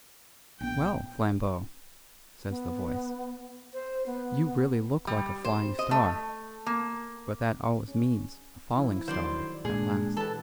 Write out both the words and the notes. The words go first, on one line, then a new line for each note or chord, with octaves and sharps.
"Well, Flambeau," says the voice, "you really look like a Flying Star; but that always means a Falling Star at last."
A#1 B3 G5
B3
C5
B3
G3
C5
D#5
A3
A#3
C#4
F3 E4 F4
D3 D#3 F#3 C5 D5 C6
A#2 G#3 D4 G#4
E3 G4 A4 B4 A5